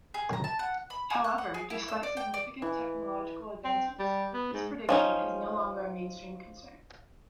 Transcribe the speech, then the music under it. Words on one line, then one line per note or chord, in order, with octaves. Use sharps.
However, despite significant technological advances, this prediction is no longer a mainstream concern.
G#4
A#5
A5
F#5
B5
G#5
F#6
F#5
G#4
E4
E6
D5
G5
D5
E3
C4
G3
B3
G#2
F3 C#4 D#4